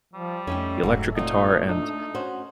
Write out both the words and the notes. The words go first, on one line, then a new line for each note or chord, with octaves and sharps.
the electric guitar, and
F3 G3
F2 A3 C#4 D#4 G5
F1 G#2 F#3
A#2 F#3 C4 D#4
D4 D#4
C#4 F#4 C5